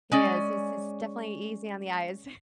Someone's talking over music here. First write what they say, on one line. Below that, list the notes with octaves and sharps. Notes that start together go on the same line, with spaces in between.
He is, he's he's definitely easy on the eyes.
G#3 C#4 D5